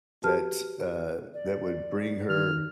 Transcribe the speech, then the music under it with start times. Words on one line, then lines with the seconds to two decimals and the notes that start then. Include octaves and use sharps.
that, uh, that would bring her,
0.22 F#4 G4 B4 A5 F6
1.34 D5
2.29 D#3 F6